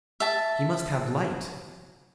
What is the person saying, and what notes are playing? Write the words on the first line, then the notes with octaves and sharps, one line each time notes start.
He must have light.
E5 A5